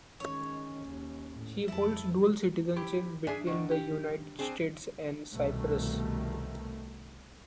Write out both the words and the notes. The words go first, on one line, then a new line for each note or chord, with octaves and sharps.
She holds dual citizenship between the United States and Cyprus.
D#3 G#3 C#4 C#5
D#2
A2
F2 E4 A4
E4 G4
D4 G#4 E5 G#5
D3 D#3
G4
C4 D4 G#4
C2 B2 D#3 A3